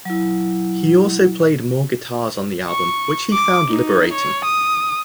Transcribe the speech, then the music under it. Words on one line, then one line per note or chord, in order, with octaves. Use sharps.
He also played more guitars on the album, which he found liberating.
F#3 E4
C#6
D6
D#4
C#5
D#6